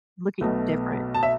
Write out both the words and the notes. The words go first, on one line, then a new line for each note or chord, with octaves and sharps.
look at y different.
B1 B2 A3
A5
E5